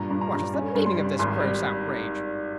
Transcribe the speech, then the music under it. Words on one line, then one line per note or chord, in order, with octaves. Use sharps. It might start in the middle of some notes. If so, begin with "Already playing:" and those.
'What is the meaning of this gross outrage?
Already playing: G2 A#2 A#5
G2
A#5
G2
C#4
G2
C6
G3
G#1 C6
G3